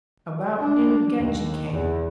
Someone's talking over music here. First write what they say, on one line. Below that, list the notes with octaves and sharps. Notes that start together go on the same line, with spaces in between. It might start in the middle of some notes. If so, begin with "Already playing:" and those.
About noon Genji came.
D4
D#2
E2